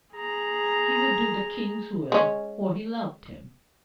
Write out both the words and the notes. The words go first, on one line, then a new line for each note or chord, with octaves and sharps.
He would do the King's will, for he loved him.
G#4 A#5
G#3 C#4